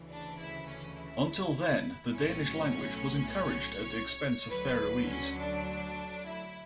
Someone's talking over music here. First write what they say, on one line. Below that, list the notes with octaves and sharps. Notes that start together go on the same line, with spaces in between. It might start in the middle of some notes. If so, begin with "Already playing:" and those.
Until then the Danish language was encouraged at the expense of Faroese.
Already playing: D2 C#3 E3
D4
E4
C#4
E4
B1 A2 F#3 C#4 C#5
C#5
D2 D3 F#3 B4
C#4
D4
E4